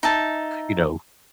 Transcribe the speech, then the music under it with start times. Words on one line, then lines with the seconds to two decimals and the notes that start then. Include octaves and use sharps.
you know,
0.03 D#4 E5 A5